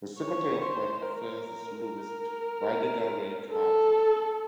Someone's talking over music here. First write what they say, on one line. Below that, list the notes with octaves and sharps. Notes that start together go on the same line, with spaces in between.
The Secretary of Foreign Affairs is Luis Videgaray Caso.
C#5
C5
A#4
A#4
A#4
A4